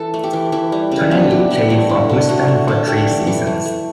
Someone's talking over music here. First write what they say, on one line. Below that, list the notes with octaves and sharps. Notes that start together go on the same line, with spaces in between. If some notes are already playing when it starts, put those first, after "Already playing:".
Tonelli played for Houston for three seasons.
Already playing: E3 A4
A3
G4
E3
E3 E4
G3
C#3
B3 D4
E3
G3
A3 E4
D3
D3
A3 F#4
A3
D3
A3 G4
E3
E3
A3
A3